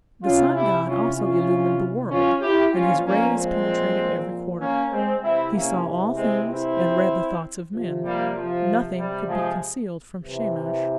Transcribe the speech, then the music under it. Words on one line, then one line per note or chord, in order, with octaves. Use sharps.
The sun god also illumined the world, and his rays penetrated every quarter: he saw all things, and read the thoughts of men; nothing could be concealed from Shamash.
C3 E3 C#4 F4
E4 G4
C#4 F4
C#4 F4
C#4 F4
E4 G4
A#2 F3 C#4 F4
A#3 C#4
G#3 C4
A#3 C#4
G#3 C4
C3 E3 C4 E4
A#3 C#4
G#3 C4
C4 E4
C3 F3
G3 A#3
F3
G3
F3 G#3
C3 E3